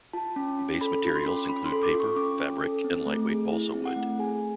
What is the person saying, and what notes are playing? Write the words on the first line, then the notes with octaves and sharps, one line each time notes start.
Base materials include paper, fabric, and lightweight balsa wood.
F4 A5
C#4
C#4
A4 B5
F4 B5
C6
C#4
C#4 B5
C6
A4
D6
F4
C#6
C#4 D6
C#4
A4
C4
A3
G#4
E4
C4
F#5
A3
G#4 G#5